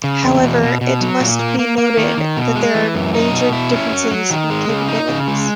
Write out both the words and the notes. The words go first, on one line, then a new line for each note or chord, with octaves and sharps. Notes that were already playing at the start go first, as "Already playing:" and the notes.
However it must be noted that there are major differences in capabilities.
C#3
E2
B2
B2
B2
F#3
A#2
A#3
A#3
A#3
D#3
D#3
B2
G#3
E3
F#2
D#4
B2
E4
C#4
F#3
F#3
D#3
G#3
C#3
D#4
C#3
G#3